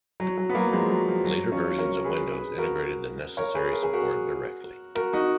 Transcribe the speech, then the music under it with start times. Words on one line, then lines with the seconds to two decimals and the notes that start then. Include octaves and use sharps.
Later versions of Windows integrated the necessary support directly.
0.20 F#3
0.37 F#3
0.50 B3
0.55 F#3 A#3
0.73 F3 G#3
0.90 F#3
1.08 F3
1.25 F#3
1.52 C#4 F4
1.79 A#4 C#5
2.04 G#4 B4
2.32 G#4 B4
2.58 F#4 A#4
3.37 A#4 C#5
3.54 G#4 B4
3.73 A#4
3.83 G#4
3.93 F#4 A#4
4.95 F#4 A#4
5.13 D#4 F#4